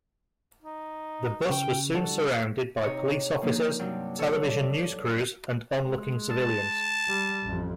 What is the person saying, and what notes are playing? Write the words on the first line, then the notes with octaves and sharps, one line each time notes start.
The bus was soon surrounded by police officers, television news crews, and onlooking civilians.
D#4
C#3 G5
D3 G3 F#4 A4
C3 D#4 C#5 D#5
F3 A#3 D4 D#4
G2 C3 F#3 G3
A4 C#5
D5
G#3
A5
G3
A1 F2